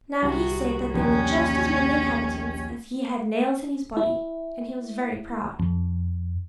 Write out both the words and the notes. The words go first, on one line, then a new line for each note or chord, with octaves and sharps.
Now he said that there were just as many inhabitants as he had nails in his body; and he was very proud.
C2 F#4
A#1 D#2 C#4
E4
F2